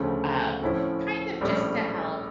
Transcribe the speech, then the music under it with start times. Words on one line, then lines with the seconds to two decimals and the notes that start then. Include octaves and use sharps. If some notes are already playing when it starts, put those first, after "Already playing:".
Um, kind of just to help
Already playing: D2 C#3 F3 A3 C#4
0.62 A2 F3 C#4 E4
1.41 A#1 A2 G3 C#4